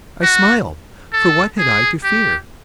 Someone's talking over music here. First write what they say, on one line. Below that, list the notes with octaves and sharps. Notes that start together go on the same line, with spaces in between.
I smiled,--for what had I to fear?
F#4
A4
G#4
G4